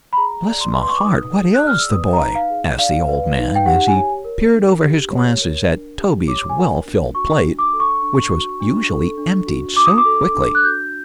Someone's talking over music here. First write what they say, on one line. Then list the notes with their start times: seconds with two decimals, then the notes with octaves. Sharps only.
"Bless my heart! what ails the boy?" asked the old man, as he peered over his glasses at Toby's well-filled plate, which was usually emptied so quickly.
0.13 B5
0.17 G#4 A#5
0.46 D5
0.61 C6
0.76 B4
0.82 C6
0.90 C#6
0.97 D6
1.05 D#4 D#6
1.33 G#4
1.54 F#6
1.63 D5 F6
1.79 E6
1.92 B4 D#6
2.13 A#5
2.20 D#4
2.35 F5
2.50 G#4
2.79 D5 F5
3.08 B4
3.37 D#4
3.56 G5
3.66 G4 F#5
3.88 G#5
3.96 C#5
4.24 A#4
4.53 D4
4.82 G4
5.11 C#5
5.41 A#4
5.69 D4
5.98 G4
6.28 C#5 D6
6.49 G#5
6.57 A#4
6.86 D4
7.15 F#4 C#6
7.43 D4
7.59 D6
7.73 A4
7.80 C#6
8.02 D4
8.31 F#4
8.60 D4
8.89 A4
9.18 D4
9.47 F#4
9.76 D4 D6
9.86 D#6
9.97 D6
10.05 A4
10.34 D4
10.55 F#6
10.63 F#4 G6